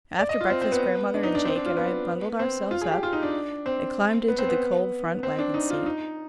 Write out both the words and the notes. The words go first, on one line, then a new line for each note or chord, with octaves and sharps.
After breakfast grandmother and Jake and I bundled ourselves up and climbed into the cold front wagon-seat.
D5
D#5
F4
C4
C4
B3
D4
D#4
D4
C4
D4
F4
B3
C4
F4
G#4
G4
F4
D#4
D4
C4
B3
C4
B3
C4
D4
D#4
F4
D#4